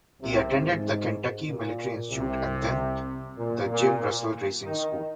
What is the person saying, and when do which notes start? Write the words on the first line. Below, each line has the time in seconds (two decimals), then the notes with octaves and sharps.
He attended the Kentucky Military Institute and then the Jim Russell Racing School.
0.22 C2 C3
0.52 G#2
1.48 A#2
2.11 C2 C3
3.38 A#2
3.70 A#2
4.65 D#3 D#4